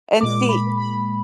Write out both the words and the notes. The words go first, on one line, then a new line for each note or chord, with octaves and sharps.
And see,
A#2 G#3 D6
B5
B5